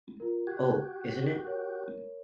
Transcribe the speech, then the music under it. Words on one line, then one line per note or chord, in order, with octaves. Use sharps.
Oh, isn't it!
F4 A#4
F#4 G4 F#6 G#6
A#4 C#5